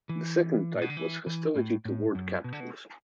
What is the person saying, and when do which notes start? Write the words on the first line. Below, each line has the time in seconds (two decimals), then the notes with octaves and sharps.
The second type was hostility toward capitalism.
0.09 E3
0.74 A2
0.82 B2
0.90 D3
0.97 E3
1.27 E3
1.56 A2
1.85 A2
2.15 F#2
2.44 B2
2.53 D3
2.60 B2